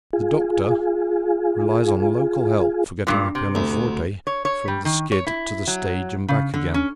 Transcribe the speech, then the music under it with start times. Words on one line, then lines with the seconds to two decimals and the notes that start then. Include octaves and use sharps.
The "doctor" relies on local help for getting the pianoforte from the skid to the stage and back again.
0.13 F4 G#4
3.07 G2 A#2
3.35 C3
3.55 D2
4.27 C#5
4.45 C#5
4.68 G3
4.85 D#3
5.12 C#5
5.27 E4
5.67 F#3
6.28 C#3
6.54 D3
6.74 C#4